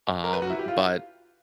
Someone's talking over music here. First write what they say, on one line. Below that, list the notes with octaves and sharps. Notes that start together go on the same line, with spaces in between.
Um, but,
A#4
B4
F#4
E4
G4
F4